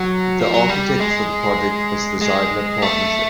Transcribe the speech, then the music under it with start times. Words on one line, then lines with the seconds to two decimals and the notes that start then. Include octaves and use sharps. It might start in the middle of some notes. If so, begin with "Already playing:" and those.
The architect for the project was the Zeidler Partnership.
Already playing: F#3
0.39 F3
0.54 F#3
0.69 G3
1.00 G#3
2.22 G#3
2.82 A3